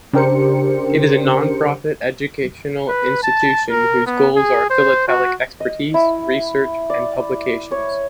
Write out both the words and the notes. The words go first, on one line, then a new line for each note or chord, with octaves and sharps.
It is a non-profit educational institution whose goals are philatelic expertise, research and publications.
C#3 D4 G4 A#4 C5 C#7
B4
A5
A#4
B3
G#4
C5
F#4
D#5
E4
D5
C#5